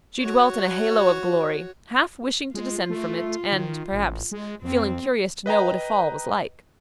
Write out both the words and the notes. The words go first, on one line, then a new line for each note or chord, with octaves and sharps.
She dwelt in a halo of glory, half wishing to descend from it, and perhaps feeling curious to know what a fall was like.
F#4 C#5
G#3 F4
A3
D#3
A1
G#3
F2 C4
B4 D#5 G5 A#5